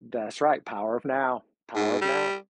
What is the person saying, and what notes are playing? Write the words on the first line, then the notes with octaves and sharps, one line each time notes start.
That's right, Power of Now, Power of Now.
G#2
G3